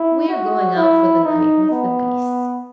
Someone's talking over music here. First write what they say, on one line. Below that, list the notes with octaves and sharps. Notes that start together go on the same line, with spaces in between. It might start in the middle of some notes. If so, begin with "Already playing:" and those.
"We are going out for the night with the beasts."
Already playing: E4
F#4
E4
D#4
B3